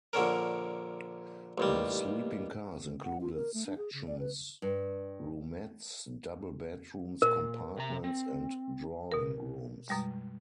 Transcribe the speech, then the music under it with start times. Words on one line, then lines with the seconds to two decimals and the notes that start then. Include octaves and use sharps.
The sleeping cars included sections, roomettes, double bedrooms, compartments, and drawing rooms.
0.13 A#1 D3 C#4 A#4
1.58 A1 D#2 G3
3.04 F#5
3.21 F4
3.34 A#4
3.54 A3
3.66 D4
3.78 G#4
3.93 C#3
4.07 D5
4.19 B4
4.62 G2
7.22 A#2 A#4
7.77 C3 A#5
8.04 C4
9.11 B2 A#4
9.89 F#2 B2 G3 G#3